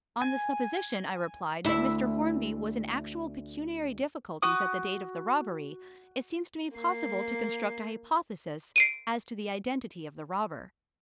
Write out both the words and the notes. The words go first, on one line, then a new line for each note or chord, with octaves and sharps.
"On the supposition," I replied, "that Mr. Hornby was in actual pecuniary difficulties at the date of the robbery, it seems to me possible to construct a hypothesis as to the identity of the robber."
G#5
D2 E4
F#4 D#6
A#3 C7
C7 D7 D#7